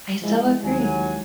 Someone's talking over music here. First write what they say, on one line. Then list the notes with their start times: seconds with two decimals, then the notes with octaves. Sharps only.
I so agree.
0.22 F3 G#3 E4
0.63 D#2 F#3 G#5